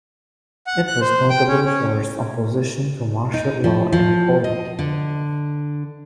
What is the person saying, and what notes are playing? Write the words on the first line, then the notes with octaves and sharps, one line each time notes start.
It was notable for its opposition to martial law in Poland.
F#5
F#6
C5
G5
C#4
C#4
D#4
F3
F3
D#5
D3